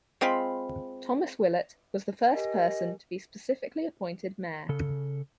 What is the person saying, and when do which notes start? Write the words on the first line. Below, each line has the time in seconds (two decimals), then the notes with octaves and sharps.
Thomas Willett was the first person to be specifically appointed mayor.
0.21 G#3 C4 F4 B5
2.34 G4 A#4 D#5 G#5
4.69 C#3 A4